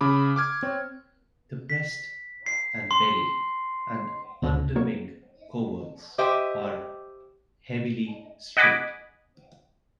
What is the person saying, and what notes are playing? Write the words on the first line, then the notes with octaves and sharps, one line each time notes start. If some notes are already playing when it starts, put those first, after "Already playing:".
The breast and belly and underwing coverts are heavily streaked.
C#3 B5 D6
D6 F6 G#6
C4 C#5
B6
C7
C6
D2 G#2 B2 C4
F#3 A#3 B3 C#5
G4 C5 D#5 E5 G5
D#5 F#5 G#5 B5 D6